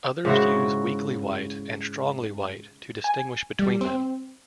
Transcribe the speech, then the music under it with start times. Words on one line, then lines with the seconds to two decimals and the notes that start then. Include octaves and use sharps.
Others use weakly white and strongly white to distinguish between them.
0.25 G#2 C#3 E4 F#4
3.04 G#5
3.59 G3
3.81 C4